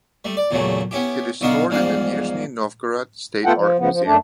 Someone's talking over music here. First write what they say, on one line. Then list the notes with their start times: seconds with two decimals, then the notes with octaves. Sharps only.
It is stored in the Nizhny Novgorod State Art Museum.
0.25 G3 A3
0.37 D5
0.51 E2 A#2 C#3 F#3 A3
0.91 B3 C#4 E4 G4
1.41 B1 D3 B3 D#4 F#4 F5
1.70 E2 G#2 F3 G3 F5
3.46 A3 B3 F4 A4 F#5 G5
3.57 F3
3.78 C#3 F3 B3
3.92 F3
4.05 F#2 A3 D4